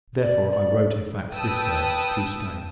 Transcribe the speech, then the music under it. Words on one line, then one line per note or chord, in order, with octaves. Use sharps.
Therefore, I wrote, in fact, this Day, through Spain.
D5
D5
B4 G5 A5 D#6 E6